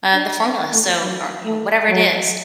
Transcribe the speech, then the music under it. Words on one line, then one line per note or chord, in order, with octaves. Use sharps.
uh, the formula. So or, you know, whatever it is,
D4
B3
A3
F#3
A3
F#3